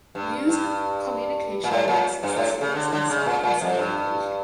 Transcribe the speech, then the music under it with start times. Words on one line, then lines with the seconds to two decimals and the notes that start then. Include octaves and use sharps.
Muse Communication licensed the series in South and Southeast Asia.
0.15 G2
0.49 G2
1.64 A#2
1.71 A2
1.88 A#2
2.23 G2
2.36 A2
2.61 C#3
2.75 D3
2.92 D3
3.09 C#3
3.26 A#2
3.43 A#2
3.61 F2
3.78 G2